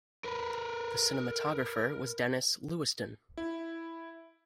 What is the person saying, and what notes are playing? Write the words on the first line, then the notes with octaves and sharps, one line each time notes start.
The cinematographer was Denis Lewiston.
A#4 B4
E4